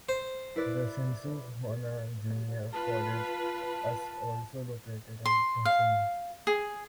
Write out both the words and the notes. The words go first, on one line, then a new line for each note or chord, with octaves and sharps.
The Shinshu Honan Junior College us also located in Tatsuno.
C5
E4 B4 D5
F4 B4 A5
C6
F5
G#4